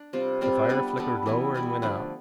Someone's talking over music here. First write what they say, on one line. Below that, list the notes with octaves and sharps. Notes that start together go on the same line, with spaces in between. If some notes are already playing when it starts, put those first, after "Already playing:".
The fire flickered lower and went out.
Already playing: D4
C3 G3 C4 F4
C3 G3 C4 F4
G3 B3 D4 A4
G3 B3 D4 A4
E3 G3 B3 E4
E3 G3 B3 E4
D3 F3 A3 D4